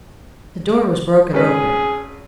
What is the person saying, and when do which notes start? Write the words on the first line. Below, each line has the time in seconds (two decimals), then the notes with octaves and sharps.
The door was broken open.
1.33 G#1 C#4 G#4 B4